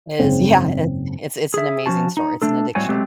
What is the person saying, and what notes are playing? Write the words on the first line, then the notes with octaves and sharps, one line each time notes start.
Is yeah, it's it's it's an amazing store, it's an addiction.
F#1 G#2 C#3 C4
G#4 E5
F3 C#4 F#4 A5
D#4
A3 D4 A4
A2 G3 C4 F#4 C#5 G#5
F#3 G#3 A3 C4 G4